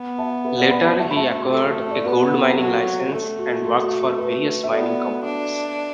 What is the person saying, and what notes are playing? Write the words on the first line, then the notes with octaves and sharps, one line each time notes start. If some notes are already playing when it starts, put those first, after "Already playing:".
Later he acquired a gold-mining licence and worked for various mining companies.
Already playing: B3
E5 A5
B4 E5
D5 F#5
F#5 B5
F#5 B5
A3 E5 A5
B5
E5 A5
F#4
A3 A4
A4
A4 D5
B3 F#4 B4
A4
F#3 F#4
A3 A4
F#4
A4
F#4
A4
F#4 B4
E5
B3 A4 D5
D4